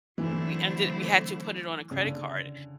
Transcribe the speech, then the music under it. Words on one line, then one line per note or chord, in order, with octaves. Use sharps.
we ended we had to put it on a credit card,
D3 E3 F#3 A3 C4 E4
C#3
D3